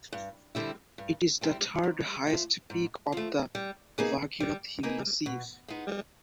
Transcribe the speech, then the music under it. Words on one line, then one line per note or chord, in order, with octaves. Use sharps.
It is the third highest peak of the Bhagirathi Massif.
G2
D3 G3 C4 E4
G2
D3 G3 C4 E4
G#2
F3 A3
G#2
F3 A3
G3
A#3 D#4 G#4 B4
G3
A#3 D#4 G#4 B4
B2
G#3 B3 D#4